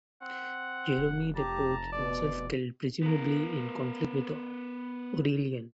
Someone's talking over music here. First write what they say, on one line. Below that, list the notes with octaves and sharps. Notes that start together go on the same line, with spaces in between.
Jerome reports him killed, presumably in conflict with Aurelian.
C4 F#5
F1
G4 A5 A#5
B2 D5
B3 A#4